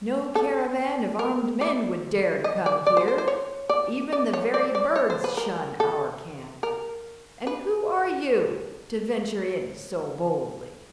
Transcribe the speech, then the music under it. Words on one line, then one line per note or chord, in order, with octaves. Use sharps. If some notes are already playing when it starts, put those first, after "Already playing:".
'No caravan of armed men would dare to come here, even the very birds shun our camp, and who are you to venture in so boldly?'
A4
A#4
D5
D#5
D5
D5
C5
C5
C5
C#5
D5
D5
C#5
D5
D5
C#5
C5
B4
A#4
A4
A#4
B4